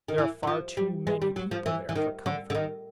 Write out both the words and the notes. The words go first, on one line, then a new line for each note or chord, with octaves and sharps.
There are far too many people there for comfort.
D#3
E3
E3
F3
G3
G#3
G3
F#3
F3
E3
E3
D#3
D3
D3
D#3